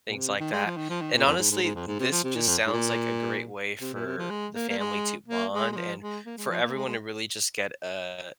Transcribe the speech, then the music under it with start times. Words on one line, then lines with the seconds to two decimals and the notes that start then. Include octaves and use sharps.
things like that. And, honestly, this just sounds like a great way for the family to bond and for everyone to really just get a
0.09 A#2
0.16 C3
0.40 D#3
0.53 G#3
0.66 F3
0.77 D#3
0.90 F3
1.01 D#3
1.14 A#2
1.25 F2
1.39 G#2
1.51 G#2
1.63 G#2
1.75 F2
1.87 G#2
2.00 C3
2.12 F3
2.24 C3
2.36 A#2
2.47 F2
2.67 G#2
2.73 A#2
3.81 C3
3.94 A#2
4.06 C3
4.18 F3
4.30 G#3
4.55 A#3
4.70 A#3
4.79 G#3
5.28 A#3
5.53 G#3
5.72 G#3
5.76 F3
6.01 G#3
6.26 A#3
6.37 G#3
6.49 F3
6.62 A#3
6.74 G#3
6.86 G#3